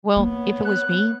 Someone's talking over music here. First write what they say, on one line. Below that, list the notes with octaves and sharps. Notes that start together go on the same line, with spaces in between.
Well, if it was me,
A#3 B3 D4 C#5
F#6